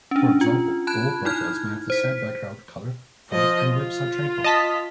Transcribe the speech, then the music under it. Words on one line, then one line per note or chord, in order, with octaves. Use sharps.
For example, all profiles may have the same background color, font and website trademark.
C#4 D4
F4
A5 B5 F#6 G#6
D#4 E4 F6 G#6
C5 B6
F3 D#5
F4
D#5 A5 B6